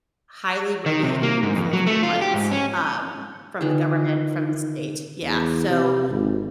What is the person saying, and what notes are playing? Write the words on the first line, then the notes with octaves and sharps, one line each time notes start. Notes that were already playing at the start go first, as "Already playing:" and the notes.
highly regulated and full of compliance, um, from the government, from the state. Yeah, so
D#3
C3
A#3
G#2
F2
F#3
A3
F4
G4
G#2
C#4
D3 D#3 F4 G#4 B4
E2
C3
G#1